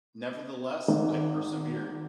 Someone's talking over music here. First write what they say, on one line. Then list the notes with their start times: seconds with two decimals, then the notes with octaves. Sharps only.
Nevertheless, I persevered.
0.88 G#1